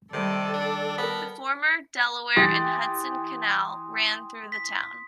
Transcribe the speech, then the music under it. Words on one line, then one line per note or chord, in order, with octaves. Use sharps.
The former Delaware and Hudson Canal ran through the town.
C3 D#3 G3 A4 D5
D4
B3 A#4 D5 A5
E3 G4 C6 D#6 A6
B6